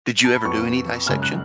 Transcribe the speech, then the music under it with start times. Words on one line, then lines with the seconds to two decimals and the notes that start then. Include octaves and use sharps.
Did you ever do any dissection?
0.24 A5
0.35 B5
0.45 F2 F3 B3 C#6
1.06 F#1 F#2 C#3 G#3 F6
1.22 F#6